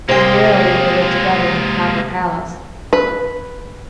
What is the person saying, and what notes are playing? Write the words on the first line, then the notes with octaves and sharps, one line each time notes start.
And merrily they lived together in the copper palace.
C3 G#3 A#3 G5
B4